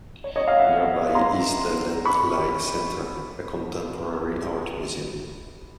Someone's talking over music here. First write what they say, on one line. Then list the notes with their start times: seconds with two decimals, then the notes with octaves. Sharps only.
Nearby is the Len Lye Centre a contemporary art museum.
0.24 C#5
0.36 C#5 D#5
0.47 D#5 F5
0.59 E5 F#5
1.15 A#5 C6
2.05 B5 C#6